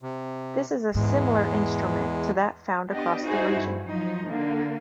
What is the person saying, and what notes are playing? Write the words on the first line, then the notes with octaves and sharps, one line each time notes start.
This is a similar instrument to that found across the region.
C3
E2 G#2 G#3
B3 D4 G4 D#5
D#4 E4 F#4 G#4 C5
G2
F3 F#3 D#4
D3 A#3